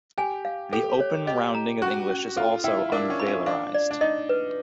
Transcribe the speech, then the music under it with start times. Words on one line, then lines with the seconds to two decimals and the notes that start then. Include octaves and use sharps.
The open rounding of English is also unvelarized.
0.18 G4 G#5
0.45 F5
0.73 G4 A4
1.00 C#5
1.27 G4 D#5
1.55 A#5
1.82 C#4 F#4
2.10 C#4
2.36 F4 A4
2.64 E4 G5
2.92 D4 A#4
3.10 C#4
3.19 B5
3.28 C#4
3.46 D4 F5
3.74 D5
3.91 D4
4.01 D#4 D#5
4.29 B4